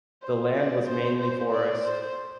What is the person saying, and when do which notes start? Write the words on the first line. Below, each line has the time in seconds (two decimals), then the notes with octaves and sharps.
The land was mainly forest.
0.23 C5
0.55 D5
0.88 C5
1.19 C5
1.52 D5
1.85 C5